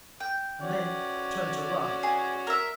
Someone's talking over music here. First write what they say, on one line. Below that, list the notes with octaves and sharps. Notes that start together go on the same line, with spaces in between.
And then turned to run.
G5
C#4 F#4 D5
G#4
A#4 E5